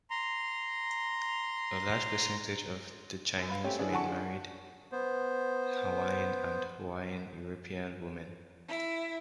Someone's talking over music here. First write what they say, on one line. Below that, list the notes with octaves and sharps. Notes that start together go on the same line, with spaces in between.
A large percentage of the Chinese men married Hawaiian and Hawaiian European women.
A#5 C6
F#2
B4 F5
A3 C4 C#4 G4
B3 C#4 D4 E4 G#4
D3 F#4 F#5 A5 C#6
D4 F4 G#4
B3 C5
E4